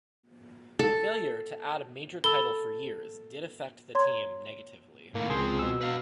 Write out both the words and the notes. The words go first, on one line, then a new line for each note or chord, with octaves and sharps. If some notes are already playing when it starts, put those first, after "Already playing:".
Failure to add a major title for years did affect the team negatively.
A4
A4 B5 E6 G7
C#5 A#5 C6 G#6
A2 D#3 A#3
C#2 F3 C4 G#4 C6
B2 E6
B4 F5